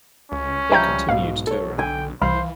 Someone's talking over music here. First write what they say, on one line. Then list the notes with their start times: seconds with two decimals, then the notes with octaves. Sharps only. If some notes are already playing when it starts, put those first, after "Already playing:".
They continued touring.
0.32 C#2 C#4
0.72 F3 G3 E5 G5 A#5 G6
1.09 B1 G#2 B2 F5
1.47 A4 C#5
1.78 D3 G5 G#5
2.22 C2 E3 C5 F5 B5